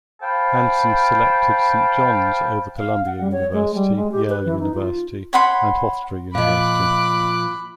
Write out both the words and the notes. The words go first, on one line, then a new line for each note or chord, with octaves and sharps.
Hansen selected Saint John's over Columbia University, Yale University, and Hofstra University.
C5 F5 G5 A5 B5
F5
F#5
G3
C#5
G#3
G3
G#3
G4
B4
E3
D#4
F4
C#5 F#5 B5 C6
A#2 F3 D#5 F5 B5 D6 F#6